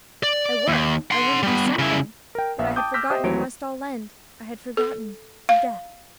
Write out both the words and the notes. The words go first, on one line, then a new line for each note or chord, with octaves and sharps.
"I work, I want to do something, but I had forgotten it must all end; I had forgotten--death."
D5
D#2
F#5 C6
G3 B3
C#3 E4
A#4 G5
A#1 E5 F5
G5 A5 D6 D#6 G6
D6 E6 F6 G6 A#6 B6
G4 C5 D#5 E5 G5 D#6
D#2 E3 F#3 A3 C#5 D7
A4
F5